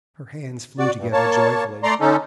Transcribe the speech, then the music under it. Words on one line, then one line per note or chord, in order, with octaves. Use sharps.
Her hands flew together joyfully.
F#4 D5
G2
A#3 C#5 A5
A3 D5 A#5 C6
D3 C#4 D#4 A4